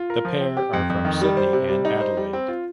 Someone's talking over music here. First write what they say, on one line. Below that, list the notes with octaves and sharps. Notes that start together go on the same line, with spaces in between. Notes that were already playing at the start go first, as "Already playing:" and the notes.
The pair are from Sydney and Adelaide.
Already playing: F4
A#4
F3
C4
G4
F2
F2
D#3
G3
C5
C3
G3
D#4
C5
G3
C4
F4